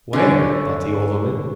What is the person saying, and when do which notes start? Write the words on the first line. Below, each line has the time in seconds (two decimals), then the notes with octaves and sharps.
"Where?" thought the old woman.
0.13 D3 C#4